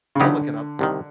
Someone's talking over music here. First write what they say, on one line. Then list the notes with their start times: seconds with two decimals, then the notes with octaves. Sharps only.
I'll look it up.
0.15 C#3
0.20 D3 D#3 F#3 B3 D#4 G4
0.79 C2 C3 D#3